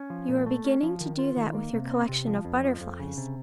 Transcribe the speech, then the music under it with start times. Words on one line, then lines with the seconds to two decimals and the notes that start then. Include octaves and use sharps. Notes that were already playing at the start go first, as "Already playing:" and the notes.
You are beginning to do that with your collection of butterflies.
Already playing: C#4
0.10 F3
0.29 A#2
0.46 A3
0.64 C#4
0.83 F3
1.01 D#3
1.19 F4
1.36 D#3
1.55 A#3
1.73 C3
1.91 C4
2.09 C3
2.27 F3
2.45 F2
2.64 F3
2.81 F2
3.00 C#3
3.18 C3